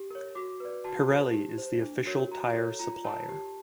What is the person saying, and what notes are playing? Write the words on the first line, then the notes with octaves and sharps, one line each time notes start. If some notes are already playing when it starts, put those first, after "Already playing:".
Pirelli is the official tyre supplier.
Already playing: G4
A#4 C#5
F#4 D6
B4 D5
F#4 A5
A4 C5
G4
C5
D4
F#4 A#4 C#5
F#4 A#5
A4 C#5
F4 A#5
A#4 C#5 A5
G4